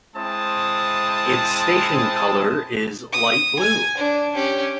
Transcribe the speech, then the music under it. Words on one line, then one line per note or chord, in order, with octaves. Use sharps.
Its station colour is light blue.
G#3 C4 E4 C5 A5 D#6
D#6
G#5
D4
C#4 G4